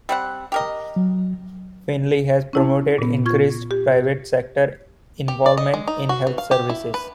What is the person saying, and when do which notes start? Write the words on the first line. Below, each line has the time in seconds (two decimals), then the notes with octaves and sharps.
Finley has promoted increased private-sector involvement in health services.
0.09 G3 C4 F#5
0.52 G4 A#4 D#5
0.96 F#3
2.53 C#4 E4 A5
2.98 A#2 B3
3.26 F4 C#6 G#6
3.71 G4
5.28 G4
5.46 D5
5.58 D#5
5.74 G#3
5.88 D#4
6.09 F#4
6.27 E3
6.38 F5
6.51 G4
6.70 E4
6.94 B4